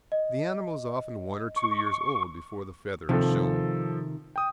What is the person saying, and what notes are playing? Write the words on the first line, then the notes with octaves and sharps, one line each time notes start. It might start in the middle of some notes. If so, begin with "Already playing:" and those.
The animal is often one or two years old before the feather is shown.
D#5
C#6
C3 D#3 F3 A4
G5 D#6